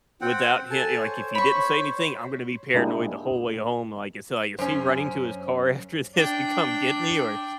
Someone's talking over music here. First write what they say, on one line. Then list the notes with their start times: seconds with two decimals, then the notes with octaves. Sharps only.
without him you know, like if he didn't say anything, I'm gonna be paranoid the whole way home, like it's like, is he running to his car after this to come get me, or,
0.21 C4 F#5 G5
0.71 A4 G#5 A5
0.99 C5 C#5
1.35 B5 C#6
2.74 G#3 A#3 D4 E4 G4 G#4
4.59 F#2 C#4 C5
6.15 D4 G5